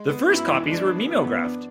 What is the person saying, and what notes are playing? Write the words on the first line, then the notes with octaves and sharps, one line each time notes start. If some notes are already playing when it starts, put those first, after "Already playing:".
The first copies were mimeographed.
Already playing: G#3
B3
F#2 E4
E3
G#3 D4
B3
F#2 B3
E3
D4